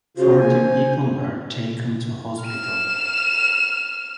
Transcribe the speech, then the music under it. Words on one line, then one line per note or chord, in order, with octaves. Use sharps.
Forty people were taken to hospital.
C#3 F4 F#4 C5
A#3 G#5
C#3
F6 E7